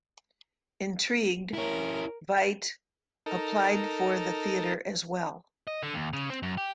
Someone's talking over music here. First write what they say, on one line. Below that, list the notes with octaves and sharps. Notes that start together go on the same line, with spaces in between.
Intrigued, Veidt applied for the theatre as well.
C#4 E4 A#4
D#4 A4 A#4
D#5
D3
D#2
C#3
C4
F#2
G4